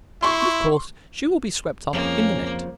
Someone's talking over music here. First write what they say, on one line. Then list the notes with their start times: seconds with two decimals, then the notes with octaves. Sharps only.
But, of course, she will be swept up in the net.
0.23 E4 C6 C#6
1.93 F2 C#3 F3 A#3 C#4